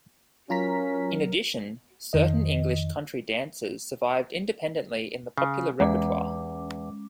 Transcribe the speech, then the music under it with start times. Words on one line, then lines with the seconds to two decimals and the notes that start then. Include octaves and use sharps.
In addition certain English country dances survived independently in the popular repertoire.
0.50 F#3 C#4 F4 A#4 A#5 B6
2.13 F2 D#3 D#5
5.38 C#3
5.80 E2 G#3 C#4 D6